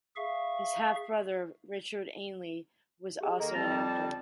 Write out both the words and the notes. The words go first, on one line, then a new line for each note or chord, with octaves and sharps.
His half-brother, Richard Ainley, was also an actor.
G#4 E5 F5 C#6
G4 G#4 D#5
D#3 A#3 A4 D#5 A#5
F2 G3 C4 A5 A#6 F7